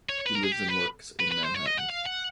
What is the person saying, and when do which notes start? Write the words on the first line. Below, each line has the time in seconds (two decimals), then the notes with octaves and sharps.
He lives and works in Manhattan.
0.09 C#5
0.26 B4
0.35 A#4
0.43 G#4
0.52 G4
0.69 B4
1.20 B4
1.32 B4
1.43 C5
1.54 C#5
1.66 D#5
1.77 F#5
1.89 F5
2.06 F#5